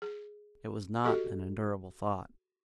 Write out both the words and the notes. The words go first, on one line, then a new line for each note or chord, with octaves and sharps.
It was not an endurable thought.
G#4
F#4 G4 A4 D#5